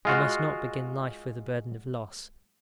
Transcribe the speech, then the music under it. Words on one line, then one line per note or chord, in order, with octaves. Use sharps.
They must not begin life with a burden of loss.
G#3 F4 F#4